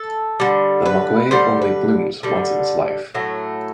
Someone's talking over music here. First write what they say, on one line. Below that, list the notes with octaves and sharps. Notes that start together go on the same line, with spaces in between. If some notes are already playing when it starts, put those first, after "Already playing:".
The maguey only blooms once in its life.
Already playing: A4
D3 G3
B4
D3 G3 C5
B4
D3 G3
A2 F#3 A3